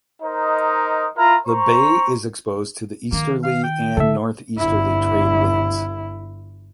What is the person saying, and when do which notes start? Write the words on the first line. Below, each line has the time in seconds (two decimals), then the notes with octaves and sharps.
The bay is exposed to the easterly and northeasterly trade winds.
0.22 D#4 A#4 C5 D#5
1.16 E4 F4 A#4 A#5
1.47 C5 A#5 C#6
3.12 D#3 A#3
3.44 F5
3.63 G5
3.97 D3 A3 A4 E5
4.58 G1 E4